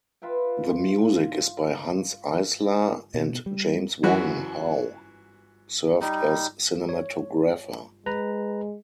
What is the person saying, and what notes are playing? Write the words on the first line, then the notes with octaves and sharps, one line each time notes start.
The music is by Hanns Eisler and James Wong Howe served as cinematographer.
F4 B4 E5 G5
B2
G3
F#2 E3 F#4
G3 D#4
C#5
G#3 B4 A#5